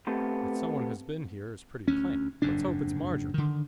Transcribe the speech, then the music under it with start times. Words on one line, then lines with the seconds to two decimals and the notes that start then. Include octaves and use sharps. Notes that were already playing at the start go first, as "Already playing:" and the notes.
That someone has been here is pretty plain,--let's hope it's Marjorie.'
0.07 A3 B3 C4 G4 A4
1.88 D2 C#4
2.42 F#1 F2 G#2 D4
3.34 D3 D#3